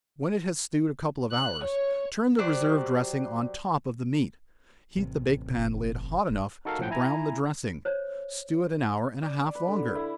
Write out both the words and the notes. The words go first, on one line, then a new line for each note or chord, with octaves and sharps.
When it has stewed a couple of hours, turn the reserved dressing on top of the meat, heat the bake pan lid hot enough to brown the dressing, stew it an hour and a half longer.
F#6
C#5
F#3 G4 C5 D5
A1 C3
F1
D1
D#4 F#4 A4 A#4 F5
A#1 A2 F3 F#5 G5 G6
E4 G#5 A#5
C5 C#5
D5
B4
D3
E4